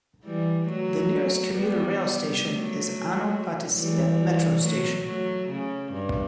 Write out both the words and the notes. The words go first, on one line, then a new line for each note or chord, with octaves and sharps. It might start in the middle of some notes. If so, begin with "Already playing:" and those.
The nearest commuter rail station is Ano Patisia metro station.
E3 G3
F#3 A3
G3 B3
F#3 A3
E3 G3
F#3 A3
F#3 A3
C#3
G2